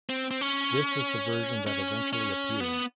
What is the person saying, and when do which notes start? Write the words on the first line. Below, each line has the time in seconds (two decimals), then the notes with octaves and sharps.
This is the version that eventually appeared.
0.09 C4
0.31 C4
0.41 C#4
1.67 C#4
2.13 C#4
2.60 B3